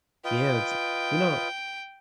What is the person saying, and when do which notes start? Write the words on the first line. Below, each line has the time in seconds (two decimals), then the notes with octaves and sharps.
Yeah, it's you know
0.25 F4 B4 D#5 G5